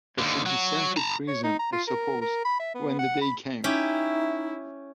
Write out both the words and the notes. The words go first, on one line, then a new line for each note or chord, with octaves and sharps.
I should be sent to prison, I suppose, when the day came.
D#2 D3
F#3 F#4
A5 A#5
C#5
D#4
A#5
F4
A#4
A#4
B5
E5
B3
F#5
B5
C#4 D#4 E4 G4